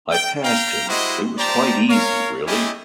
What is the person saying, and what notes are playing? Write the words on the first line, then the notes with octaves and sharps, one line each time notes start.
I passed him - it was quite easy really.
G5
F5 G5 A#5
G#3 E4 F#4 G4 C5 D#5
F3 G4 C5 D5 A5 A#5
A#4 C#5 F5
A3 C#4 E4 G4 G#4 D#5